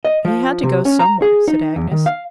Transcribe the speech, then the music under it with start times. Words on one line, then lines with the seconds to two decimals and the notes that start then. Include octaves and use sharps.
"He had to go somewhere," said Agnes.
0.05 D#5
0.25 F3
0.63 C3
0.85 C#4
0.99 A#5
1.22 G#4
1.48 D#4
1.76 E2
1.92 D#3
2.06 F5